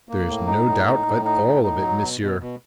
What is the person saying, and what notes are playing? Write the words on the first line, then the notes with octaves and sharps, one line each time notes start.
"There is no doubt at all of it, monsieur."
A#3
A2
D#4
A2
D#4
A2
D#4
A2
D#4
F#3
B2
B2
B2